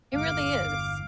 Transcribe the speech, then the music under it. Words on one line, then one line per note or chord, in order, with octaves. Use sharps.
It really is.
G1 E2 G#3 F5 D6